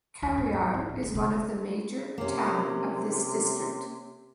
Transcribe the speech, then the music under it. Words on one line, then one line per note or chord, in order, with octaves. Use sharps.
Khariar is one of the major town of this district.
D#2
G#2
F3
A2
D2
C3
C3 A#3 C#4